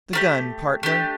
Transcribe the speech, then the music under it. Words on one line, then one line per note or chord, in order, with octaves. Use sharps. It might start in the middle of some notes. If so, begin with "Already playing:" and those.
"The gun, partner."
A3 D4 G4
A3 D4 G4